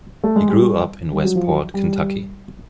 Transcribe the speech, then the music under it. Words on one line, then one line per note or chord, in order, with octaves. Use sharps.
He grew up in Westport, Kentucky.
A3
G#3
G3
G3
F#3
F3
F#3
G3